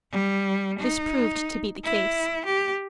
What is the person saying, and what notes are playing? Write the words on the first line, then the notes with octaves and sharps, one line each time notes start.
This proved to be the case.
G3
D#4
E4
G4